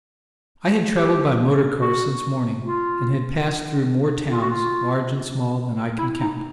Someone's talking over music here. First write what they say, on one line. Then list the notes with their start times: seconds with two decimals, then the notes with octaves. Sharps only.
I had travelled by motor car since morning, and had passed through more towns, large and small, than I can count.
0.96 G4
1.80 F#4
2.64 F4
4.31 F4
4.41 F#4
4.50 F4
5.99 E4
6.20 D#4